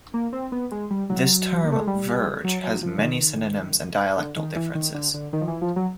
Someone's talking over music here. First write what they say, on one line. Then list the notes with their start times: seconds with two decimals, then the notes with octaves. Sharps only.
This term "verge" has many synonyms and dialectal differences.
0.14 A#3
0.33 C4
0.52 B3
0.71 G#3
0.90 G3
1.10 F#3
1.64 A#3
1.72 A3
1.79 G#3
1.87 G3
2.44 F#3
2.63 F#3
2.83 F3
2.97 D3
3.02 D#3
4.18 D3
4.37 D#3
4.56 E3
4.75 D#3
4.94 D3
5.14 D3
5.33 D#3
5.41 F3
5.48 E3
5.62 F3
5.76 F#3